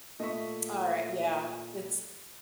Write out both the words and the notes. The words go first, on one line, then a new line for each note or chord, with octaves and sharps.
Alright, yeah, it's
A#2 A3 D#5 E5 C#6